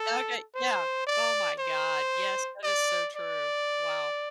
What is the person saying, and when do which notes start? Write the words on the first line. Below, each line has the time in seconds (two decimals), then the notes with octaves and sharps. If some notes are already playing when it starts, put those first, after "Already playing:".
Okay. Yeah. Oh my god. Yes, that is so true. Wow.
Already playing: A4
0.55 C5
1.07 D5
1.59 C5
2.63 D5
3.16 D5